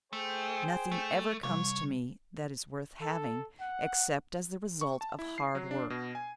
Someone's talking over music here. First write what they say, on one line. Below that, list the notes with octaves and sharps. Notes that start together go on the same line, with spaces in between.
Nothing ever comes to me, that is worth having, except as the result of hard work.
A3 G#4 C5 G5
A3
C3 G3 C#5
A4
F#5
C#6
A5
E4
C7
F#3
D4
B2
G#5